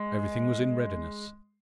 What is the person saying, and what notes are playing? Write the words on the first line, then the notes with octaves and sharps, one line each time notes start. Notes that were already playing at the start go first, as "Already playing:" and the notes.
Everything was in readiness.
Already playing: G#3